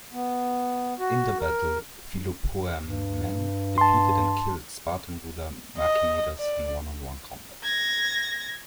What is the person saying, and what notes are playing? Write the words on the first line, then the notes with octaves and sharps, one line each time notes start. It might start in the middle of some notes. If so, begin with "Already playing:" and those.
In the battle, Philopoemen defeated and killed the Spartan ruler Machanidas in one-on-one combat.
B3
F#4
A#4
G2
A5 C6
D#5
D5
G#6 A#6